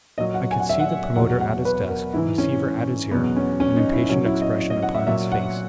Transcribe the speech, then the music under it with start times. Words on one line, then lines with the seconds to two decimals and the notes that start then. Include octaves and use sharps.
I could see the promoter at his desk, receiver at his ear, an impatient expression upon his face.
0.18 A#2 F#3 D#5
0.34 F#5
0.51 G#5
0.60 F#5
0.69 E5
0.80 F#5
1.16 E2 B2 F#3 F#5
1.40 F#5
1.65 B4
1.89 A#4
2.14 G#2 E3 E4
2.38 C#4
3.11 E2 B2 F#3 B3
3.36 C#4
3.60 C#4
3.76 D#4
3.93 E4
4.09 A#2 F#3 C#4
4.26 E4
4.42 D#5
4.58 D#5
4.70 D#5
4.82 F#5
4.95 E5
5.07 A#2 F#3 E5
5.32 F#5